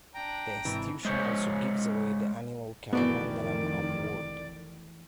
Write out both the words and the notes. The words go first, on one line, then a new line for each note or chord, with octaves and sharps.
The institution also gives away the annual Kalamandalam award.
D4 G5 A#5
G#2 C3 E3
G#3 C5 C#5
F1 D#3 E3 A3 B3 F#4 D5